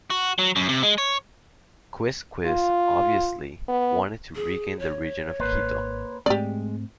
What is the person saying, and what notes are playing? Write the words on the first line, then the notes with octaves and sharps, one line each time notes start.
Quizquiz, obviously, wanted to regain the region of Quito.
F#4
F#3
F#2
C3
G#3
C#5
F4
B3
G#4
C#5
D#1 G#1 A#3 B4 C5
G#2 G#3 A3 C4 G4 D5